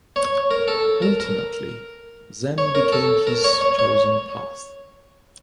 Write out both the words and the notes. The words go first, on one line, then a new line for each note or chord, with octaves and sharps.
Ultimately, Zen became his chosen path.
C#5
A#4
A4
A#4
A#4
C#5
A#4
A4
A#4
C#5
C#5
C#5